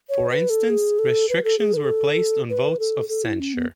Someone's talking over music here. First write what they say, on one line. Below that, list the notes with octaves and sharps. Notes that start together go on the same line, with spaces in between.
For instance, restrictions were placed on votes of censure.
C#5
B4
A4
G#4
A4
B4
A4
G#4
B4
A4
B4
A4
A4
E4
C#4
B3